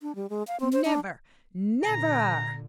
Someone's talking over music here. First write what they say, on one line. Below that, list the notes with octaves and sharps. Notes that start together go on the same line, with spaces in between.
Never, NEVER!'
D4
G3
G#3
F5
C4
C5
D4
A#2 D3 A#5